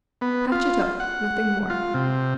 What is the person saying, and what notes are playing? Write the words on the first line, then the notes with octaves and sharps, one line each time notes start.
Patch it up, nothing more.
B3
F4
F#5
F4
C3